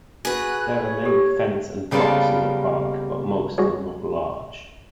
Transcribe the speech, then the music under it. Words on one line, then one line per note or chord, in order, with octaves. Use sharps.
There are many fens and bogs in the park, but most are not large.
F#4 G#4 B4 F#6
C#5
G4 A4
C#3 G3 A#3 B3 F4 A4
G3 F#4 G#4 C#5